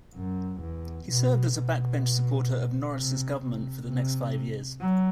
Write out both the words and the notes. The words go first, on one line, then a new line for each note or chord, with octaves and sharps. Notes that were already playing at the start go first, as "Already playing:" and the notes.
He served as a backbench supporter of Norris's government for the next five years.
F#2
E2
B2
B2
C3
C3
C3
F#3